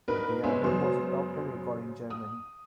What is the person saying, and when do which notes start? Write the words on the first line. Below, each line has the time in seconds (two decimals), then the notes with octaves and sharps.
The album was a Top Ten record in Germany.
0.08 G#2 A#4 B4
0.44 G#3 B3 C#4 C5 E5
0.62 F#2 C#3 C5
2.10 D#6